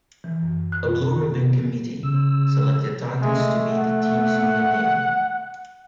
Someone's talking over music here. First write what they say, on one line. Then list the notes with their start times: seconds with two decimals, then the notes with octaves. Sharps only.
A blue-ribbon committee selected "Titans" to be the team's new name.
0.24 E3
0.43 F#2
0.72 F#6
0.88 F4
1.38 B3
2.03 C#3 E6
3.22 G#3 A3
3.72 F#5